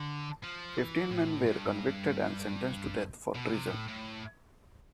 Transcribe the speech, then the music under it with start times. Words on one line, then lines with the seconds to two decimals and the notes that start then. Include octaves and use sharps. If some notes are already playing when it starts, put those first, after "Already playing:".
Fifteen men were convicted and sentenced to death for treason.
Already playing: D3
0.43 F3
0.77 E3
1.11 A2
1.46 G2
3.36 B2
3.54 C3
3.70 A2
3.88 A2